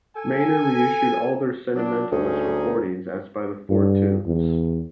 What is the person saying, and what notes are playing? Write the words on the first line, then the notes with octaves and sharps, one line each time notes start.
Manor reissued all their Sentimentalists recordings as by the Four Tunes.
A4 G#5
F#3 D4
D2 C#4 D#4 G#4
G2
E2